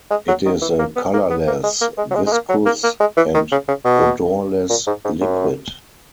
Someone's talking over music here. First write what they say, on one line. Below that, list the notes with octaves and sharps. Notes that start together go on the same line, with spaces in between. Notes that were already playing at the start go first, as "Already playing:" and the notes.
It is a colorless, viscous and odorless liquid.
G#3
F#3
D#3
E3
A#3
B3
A#3
B3
A#3
G#3
A#3
G#3
F#3
G#3
G#3
A#3
F#3
A#3
A#3
G#3
E3
D#3
C#3
C#3
B2
A#2
G#2
G#2
F#2